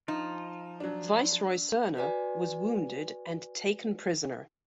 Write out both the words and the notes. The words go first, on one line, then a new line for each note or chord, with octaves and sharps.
Viceroy Serna was wounded and taken prisoner.
F3 D#4 F4
F#3 D4
F#4 B4 D5 G#5